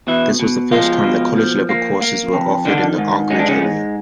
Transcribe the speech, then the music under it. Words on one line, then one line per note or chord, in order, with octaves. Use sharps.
This was the first time that college-level courses were offered in the Anchorage area.
B2 E3 E4
B2
F3 G#3 F4
B2
F3
A#3
A#3
F2
D3 D#3 D4
G#2
G#3 C#4
D4
C#3 C#4
G#2